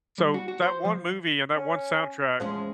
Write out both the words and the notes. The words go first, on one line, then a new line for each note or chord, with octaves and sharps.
So that one movie and that one soundtrack
G3
F#4
F#4
C5
F3
C#4
E2 F3 G#3 C#4